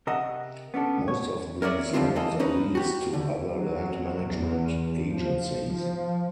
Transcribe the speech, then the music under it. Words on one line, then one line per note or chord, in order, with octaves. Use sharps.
Most of these lands are leased to other land management agencies.
C3 A#4 D#5 E5 F#5
B3 C#4 D4 A4
C#5
A#4 C#5 D5 E5
D3 D#3 F3 G3 C4 F4
E3 A#3 A4 D#5
C#4 D#4 B4
F#4 G4
D3
F#3
E2
F3
F3